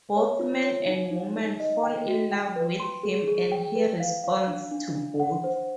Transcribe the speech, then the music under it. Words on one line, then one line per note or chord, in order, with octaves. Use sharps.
Both men and women fall in love with him and he responds to both.
C#5
F4
C#5
D#4
D#4
D#4
D#5
G5
F#4
G5
B4
C6
G#4
G#4
G5
B4
F5
F5
D4
D4
D4
F#5
C5